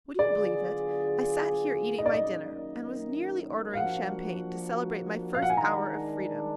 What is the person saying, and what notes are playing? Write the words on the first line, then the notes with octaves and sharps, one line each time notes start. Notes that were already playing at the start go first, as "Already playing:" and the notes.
Would you believe, it, I sat here eating my dinner and was nearly ordering champagne to celebrate my first hour of freedom.
D3 F#3 B3 F4 G#4 D5
F#2 D#3 A#3 D#4 D#5
D5
D#5
F5
F3 A#3 D4 F#4 F#5
F5
F#5
G#5
D#3 G#3 D4 A#5